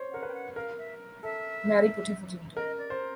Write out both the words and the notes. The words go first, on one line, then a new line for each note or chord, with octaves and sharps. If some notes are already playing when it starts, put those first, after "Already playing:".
Mary put her foot into it.
Already playing: C5 C#5
A#4 F#5
B4
G5
F#5
A#4 F5
E5
A4 E5
A#4 D#5
D5
C5